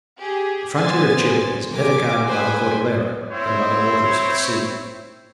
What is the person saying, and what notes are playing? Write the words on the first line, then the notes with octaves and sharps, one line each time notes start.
The frontier of Chile is better guarded by the Cordillera, than by the waters of the sea.
G4 G#4
A#2 B3 C5 G#5 A6
G4 A#4 G#5 D6
B4 C5 G5 G#5 C6
C4 E4 C5 C#5